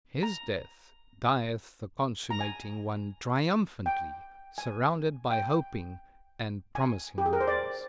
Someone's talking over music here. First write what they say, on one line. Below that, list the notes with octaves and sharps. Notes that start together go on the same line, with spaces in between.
His death, dieth the consummating one triumphantly, surrounded by hoping and promising ones.
A#5
A#5
G#5
G5
G#5
G5
G#5
G4
G#4
A#4
C5
D5